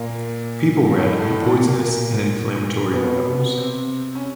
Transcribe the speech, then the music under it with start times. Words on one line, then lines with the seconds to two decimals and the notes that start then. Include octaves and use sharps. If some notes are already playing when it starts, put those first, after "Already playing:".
People read the poisonous and inflammatory libels.
Already playing: A#2 A#3
0.90 A#3
0.98 A2 A3
1.11 G#3
1.20 A2 A3
1.41 A#2 A#3
1.64 A#2 A#3
2.93 B2 B3
3.57 C3 C4
4.15 C#4